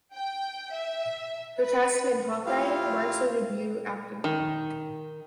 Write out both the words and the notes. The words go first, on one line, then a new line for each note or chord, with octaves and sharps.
Her casting in "Hawkeye" marks her debut acting role.
G5
E5
B4
E4 F4 G4 F5
D#3